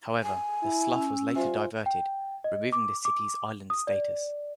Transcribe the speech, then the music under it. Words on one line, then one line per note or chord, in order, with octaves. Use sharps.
However, the slough was later diverted, removing the city's island status.
G#5
E4
C#4 E6
G3 F4 C5 E5 G#5
G5
D#5
D6
D6
D#6
D5